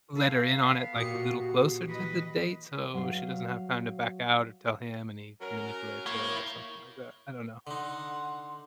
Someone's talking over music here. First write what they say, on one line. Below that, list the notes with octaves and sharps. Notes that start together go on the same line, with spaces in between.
let her in on it like a little closer to the date so she doesn't have time to back out or tell him and he manipulates her or something like that. I don't know.
B3 A4 F5
A#2 F#4 G4 D#6 C#7
E3 B4 D#5
F#3 F5
F#3 C#4 A#4
A#3 E4 C#5
D3 D#4 F#5 C6